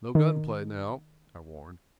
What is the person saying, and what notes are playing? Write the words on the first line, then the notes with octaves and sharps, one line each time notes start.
"No gun play now," I warned.
D#3